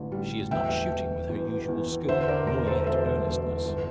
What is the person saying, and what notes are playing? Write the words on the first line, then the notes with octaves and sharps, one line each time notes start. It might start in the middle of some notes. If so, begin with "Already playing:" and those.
She is not shooting with her usual skill, nor yet earnestness.
Already playing: A1 D3
G3
E1 E5 G5
E1
E2
E2
D3 C5 E5
C5
A#4 D5
E1 A#4
A4 C5
E1 C5 E5
E1
G1